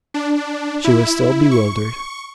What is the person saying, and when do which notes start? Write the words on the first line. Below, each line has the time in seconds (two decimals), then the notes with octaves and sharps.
She was still bewildered.
0.14 D4
0.84 E4
1.51 C#6